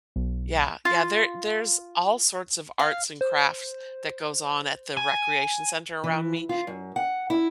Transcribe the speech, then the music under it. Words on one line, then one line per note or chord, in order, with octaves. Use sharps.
Yeah, yeah, there there's all sorts of arts and crafts that goes on at the recreation center around me,
B1
F4
F5
C5
G#5
E3
F4
F#2
F#5
E4